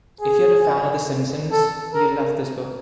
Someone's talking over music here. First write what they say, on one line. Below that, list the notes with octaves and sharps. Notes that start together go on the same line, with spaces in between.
If you're a fan of "The Simpsons", you'll love this book.
G#4
A4
A#4